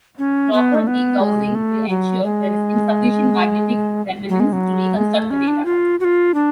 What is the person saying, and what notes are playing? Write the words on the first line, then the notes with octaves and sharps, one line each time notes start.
Proper degaussing will ensure there is insufficient magnetic remanence to reconstruct the data.
C#4
B3
A3
B3
G#3
A3
F#3
G#3
F#3
G#3
F#3
G#3
A3
C#4
D4
F4
F#4
F4
D4